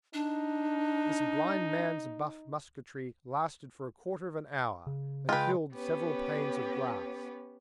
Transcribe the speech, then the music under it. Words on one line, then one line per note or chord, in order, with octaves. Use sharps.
This blind-man's-buff musketry lasted for a quarter of an hour and killed several panes of glass.
D4 D#4
C#3
G#3 F4 B4 G5
B3 C#4 G4 B4 C#5